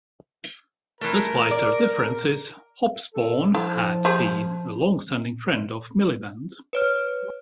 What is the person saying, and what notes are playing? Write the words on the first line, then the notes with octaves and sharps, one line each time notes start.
Despite their differences, Hobsbawm had been a long-standing friend of Miliband.
E3 A3 A#4
D5
A4
F3 E4 A4
G4 G#4 C5
B4 C#5 F6